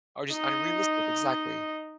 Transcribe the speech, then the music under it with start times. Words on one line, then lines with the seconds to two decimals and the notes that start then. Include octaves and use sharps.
Oh, just unrealistic exactly.
0.31 D#4 D#5